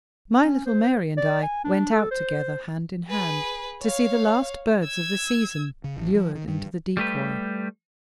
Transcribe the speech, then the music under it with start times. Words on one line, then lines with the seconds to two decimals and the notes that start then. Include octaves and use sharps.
My little Mary and I went out together, hand in hand, to see the last birds of the season lured into the decoy.
0.43 C#4
0.66 C5
1.17 D5
1.43 G#5
1.64 D4
1.92 A4
2.11 C5
3.08 G#4 B4
3.82 C#5 F5
4.83 E6 G#6
5.84 C#3
5.96 A1
6.15 F3
6.35 D#3
6.48 G2
6.97 G3 A3 G4 B4